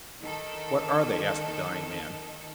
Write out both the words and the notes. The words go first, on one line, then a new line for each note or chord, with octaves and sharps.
"What are they?" asked the dying man.
D#3 A4